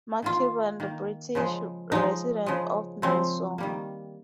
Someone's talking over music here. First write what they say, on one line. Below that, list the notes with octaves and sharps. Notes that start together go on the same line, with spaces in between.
Mark Cubbon, the British Resident of Mysore.
D#3 A#3 F4
D#3 A#3
C#3 F3 G#3
C#3 F3 G#3 D#4
C#3 F3 G#3
C#3 F3 G#3 C4
D#3 G3 A#3